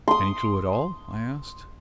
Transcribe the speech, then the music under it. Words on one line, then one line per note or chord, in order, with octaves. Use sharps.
"Any clew at all?" I asked.
C6 D#6